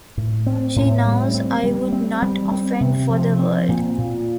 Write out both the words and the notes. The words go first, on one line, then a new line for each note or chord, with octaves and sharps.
She knows I would not offend for the world.
A2
C4
A2
G3
C4
G3
C4
G3
C4
C3
F3
C4
A#2
A#2